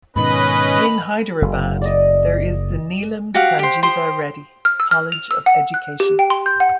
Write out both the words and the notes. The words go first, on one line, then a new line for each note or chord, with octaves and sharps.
In Hyderabad, there is the Neelam Sanjeeva Reddy College of Education.
G#2 B2 D#3 C#4 B4 D#5 B5
F#1
D5 D#5
F#4 G4 F5 F#5
G4 C5
G4 C5 C6 D#6
F6
E6
F6
F7
E6
F#5
F#6
G4
G5
C6
G6
F#5